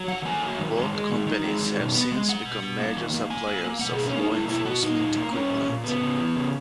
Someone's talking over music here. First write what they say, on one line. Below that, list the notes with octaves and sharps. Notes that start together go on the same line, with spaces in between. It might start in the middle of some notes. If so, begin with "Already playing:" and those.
Both companies have since become major suppliers of law enforcement equipment.
Already playing: F#3
D#3 F#5
A#3 G#5
F#3
D#3
G#3
G#3
D#3
D#3
G#3
D#3
B2
B3
G#3
G#3 F#5
B2
B2
A#3
D#3
A#3
A#3 G#5
A#3
A#3
B2 F#5
G#4
A#3
C#4
A#3 D#4
A#3 E4
B2 E4
B2 F#4
A#2 D#4
A#2
A#3
A#3 C#4
A#2
A#2
C#3 B3
C#3
E3
C#3